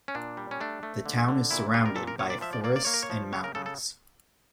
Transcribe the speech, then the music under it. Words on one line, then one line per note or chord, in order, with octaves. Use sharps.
The town is surrounded by forests and mountains.
C#4
A#2 D4
G3
C#4
A3 D4
A3
D3
D3
A#2 E4
G3 F4
A#4
A#2 A4
A#4
A#2 C#5
D5
F3 E5
D5
A#3 D5
D5
A#3 C#5
A#4
C#5
F3
C#3 C#5
A#4
C#3 A4
A4